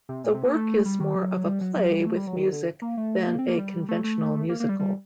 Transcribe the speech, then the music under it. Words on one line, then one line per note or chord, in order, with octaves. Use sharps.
The work is more of a play with music than a conventional musical.
C3
A#2
C3
A#3
A3
G3
D#3
F#3
G3
F#3
F#3
G3
A3
G3
F#3
D#3
D3
A#3
A3
A#3
C4
A#3
G3
A3
A3
A#3
A#3
G3
G3